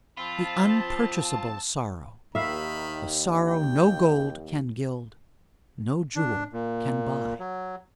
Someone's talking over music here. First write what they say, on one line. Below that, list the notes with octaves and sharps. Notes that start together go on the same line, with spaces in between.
The unpurchasable sorrow--the sorrow no gold can gild, no jewel can buy!
F3 C4 F4 A5 B5
D#2 D#3 E5 F5 B5
G5
D4
A#2
F#3